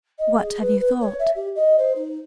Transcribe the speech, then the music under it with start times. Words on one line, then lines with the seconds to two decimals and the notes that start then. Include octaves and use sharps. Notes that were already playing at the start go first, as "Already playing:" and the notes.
"What have you thought?"
0.19 D#5
0.36 G#4
0.61 B4
0.79 B4
1.01 C#5
1.19 E5
1.35 G4
1.56 D#5
1.78 C5
1.96 D#4